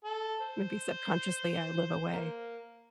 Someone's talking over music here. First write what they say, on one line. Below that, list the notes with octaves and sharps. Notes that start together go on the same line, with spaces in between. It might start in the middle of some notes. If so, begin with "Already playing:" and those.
Maybe subconsciously, I live away.
A4
C5
A#3